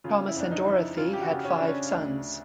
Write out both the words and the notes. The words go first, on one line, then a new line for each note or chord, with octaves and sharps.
Thomas and Dorothy had five sons.
C#3 F4
E4
F2 D4
D#4
F3
E4
C#3 F4
G4
F#4
C#3
C#4
C#3 D4
C#4
D2 D4